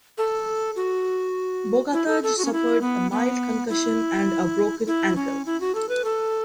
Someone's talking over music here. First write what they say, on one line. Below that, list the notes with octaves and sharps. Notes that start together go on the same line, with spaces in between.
Bogataj suffered a mild concussion and a broken ankle.
A4
F#4
E4
A4
A4
F#4
C#4
E4
B3
B3
E4
E4
C#4
E4
F#4
A4
B4
A4